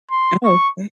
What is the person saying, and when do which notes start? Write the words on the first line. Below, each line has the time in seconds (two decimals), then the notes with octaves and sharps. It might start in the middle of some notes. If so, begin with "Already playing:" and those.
Oh. Mm.
0.11 C6
0.45 C#6